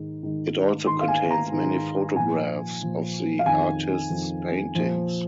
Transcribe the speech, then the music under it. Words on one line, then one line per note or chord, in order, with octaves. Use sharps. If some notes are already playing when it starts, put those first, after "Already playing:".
It also contains many photographs of the artist's paintings.
Already playing: G#2 D#3
G#2 D#3
G#2 D#3 C6
F5
G#5
A#5
G#2 D#3
A#2 F3 G#5
A#2 F3
F5
F2 D#3 G#5
F2 D#3
A#2 F3